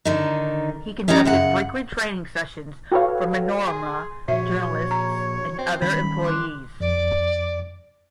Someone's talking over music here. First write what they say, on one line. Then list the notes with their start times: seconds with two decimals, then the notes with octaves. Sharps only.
He conducted frequent training sessions for "Manorama" journalists and other employees.
0.05 D3 D#3 D#4
1.08 C#4 D#4 G4 C#5 E5 A#5
1.25 F#2 C#3 F#5
2.92 F#4 G4 A4 B4 C#5 F5
3.67 G#4 C6
4.28 A#2 F3 F#4 C#5 E5
4.91 A#5
5.58 C4
5.82 D#3 G3 C#4 B5
6.24 C6 D6 F#6
6.80 F2 D5